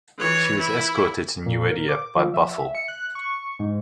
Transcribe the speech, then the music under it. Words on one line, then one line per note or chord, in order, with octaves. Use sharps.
She was escorted to Nieuwediep by "Buffel".
E3 C#5
E4
A#2
A#4
D6
F3
E5
C#7
F#6
C#6
G#2